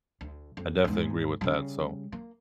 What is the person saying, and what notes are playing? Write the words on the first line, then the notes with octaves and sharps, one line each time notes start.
I definitely agree with that. So
D2
F2
E2 G#2
C#3 G3
A#3